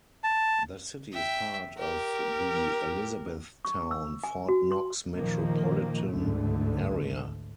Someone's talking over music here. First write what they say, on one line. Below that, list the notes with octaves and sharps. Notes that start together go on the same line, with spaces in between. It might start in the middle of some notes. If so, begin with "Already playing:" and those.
The city is part of the Elizabethtown-Fort Knox Metropolitan Area.
A5
E5 G5
G4 A#4
C#6
E6
G#5
F#4
C6
A#2 D#3 F3 A#3
A1 D2 G#2 D3 A3